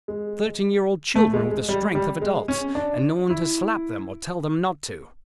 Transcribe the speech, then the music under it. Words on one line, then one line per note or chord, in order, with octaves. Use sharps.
Thirteen-year-old children with the strength of adults--and no one to slap them or tell them not to....
G#3
A3
G#3
G#3
G3
G3
G#3
C#4
D4
E4